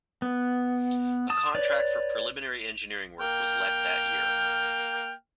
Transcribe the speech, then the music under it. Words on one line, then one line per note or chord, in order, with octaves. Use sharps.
A contract for preliminary engineering work was let that year.
B3
A5 D#6
B4 C#5 D5
A#3 G5 F6